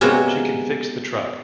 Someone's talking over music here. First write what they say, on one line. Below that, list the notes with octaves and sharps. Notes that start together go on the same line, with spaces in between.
She can fix the truck.
C3 F#3 G#3 A#3 B3 C#4